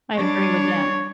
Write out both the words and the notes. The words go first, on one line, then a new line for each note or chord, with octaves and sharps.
I agree with that.
G3 D4 C#5